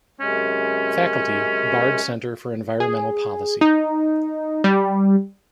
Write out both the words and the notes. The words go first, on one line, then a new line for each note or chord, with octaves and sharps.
Faculty, Bard Center for Environmental Policy.
F#2 C3 G#3 C#4
G#4
D#4
G3